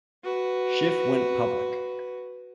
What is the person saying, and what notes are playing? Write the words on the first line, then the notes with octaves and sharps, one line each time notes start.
Schiff went public.
F#4 B4